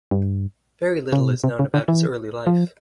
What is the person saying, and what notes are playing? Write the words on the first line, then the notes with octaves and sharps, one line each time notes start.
Very little is known about his early life.
G2
C#3
C3
B2
C3
C#3
D3
E3
F3